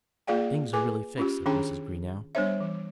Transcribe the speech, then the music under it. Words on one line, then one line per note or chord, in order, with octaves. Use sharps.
"Things are really fixed," said Mrs. Greenow.
A#3 F4 G#4 D5 F5 G5
G#4 B4 G#5 D6
C#4 F4 G4
D#3 C#4 D4 G#4 G5 A#5
G3 B3 D4 C5 C#5 E5
E3